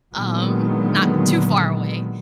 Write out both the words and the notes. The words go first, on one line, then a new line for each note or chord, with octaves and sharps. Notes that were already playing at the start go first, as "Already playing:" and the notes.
Um, not too far away.
A#2 D3 D#3 F#3 G#3 B3